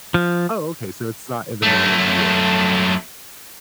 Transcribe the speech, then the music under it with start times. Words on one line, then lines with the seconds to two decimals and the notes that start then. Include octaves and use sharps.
Oh, okay, so it's not in the middle of the year.
0.14 F3
1.62 F#2 A3